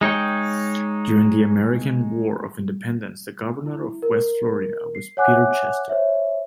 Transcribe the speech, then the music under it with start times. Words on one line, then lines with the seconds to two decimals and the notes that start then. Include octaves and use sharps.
During the American War of Independence the Governor of West Florida was Peter Chester.
0.01 G#3 D#4 C#5 G5
3.66 E4
4.02 A#4
4.95 C7
5.17 C#5 E5 F#5 G#5 D6 F#6
5.90 C5 C#5 E5